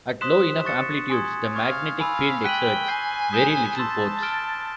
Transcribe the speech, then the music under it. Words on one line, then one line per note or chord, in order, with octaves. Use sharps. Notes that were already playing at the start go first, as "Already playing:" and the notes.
At low enough amplitudes the magnetic field exerts very little force.
C5 C6 D#6 F#6 B6 E7
C#6 F#6 A6 C#7
G#5 C6 D#6 G#6
F5 C#6 F6 G#6
F5 G#5 B5 E6
G5 F#6 B6 D#7 F#7
G#5 G6 C7 D#7 G7
D#6 G6 B6 E7 G7
A5 C6 E6 A6
F6 A6 D7 G7